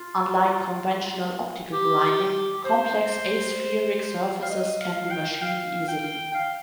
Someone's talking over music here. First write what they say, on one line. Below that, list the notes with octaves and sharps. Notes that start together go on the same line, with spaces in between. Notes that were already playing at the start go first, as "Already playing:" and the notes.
Unlike conventional optical grinding, complex aspheric surfaces can be machined easily.
Already playing: F4
G4
C5
F5
D#5
F5
G5
F5
G5
F5